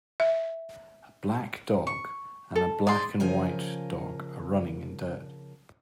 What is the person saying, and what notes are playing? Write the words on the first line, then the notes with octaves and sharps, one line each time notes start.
A black dog and a black and white dog are running in dirt.
E5
C#6
A4
G#4 D5 C6
C#3 F3 A#4 G#5